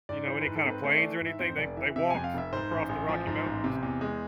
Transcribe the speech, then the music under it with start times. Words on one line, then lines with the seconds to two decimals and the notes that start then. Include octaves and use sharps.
you know, any kind of planes or anything. They they walked across the Rocky Mountains.
0.09 G#2 D5
0.28 E3 C5
0.41 B4
0.47 G#2
0.56 A4
0.66 C4 B4
0.84 A3 C5
0.98 E3 D5
1.21 G#2
1.26 E5
1.39 F2 C5
1.58 F1 D5
1.77 E3 E5
1.96 C3 E5
2.10 F2 G#5
2.24 F5
2.34 F1 E5
2.53 G#2 C5
2.71 A1
2.89 A1
3.09 F3
3.27 G#2
3.46 A1
3.64 C3
3.83 E2
4.01 G#3